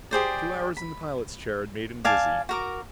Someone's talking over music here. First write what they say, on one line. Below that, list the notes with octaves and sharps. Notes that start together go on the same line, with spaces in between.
Two hours in the pilot's chair had made him dizzy.
G4 G#4 C5 D5
B5
D5 F5 G#5 A5
F#4 A#4 D6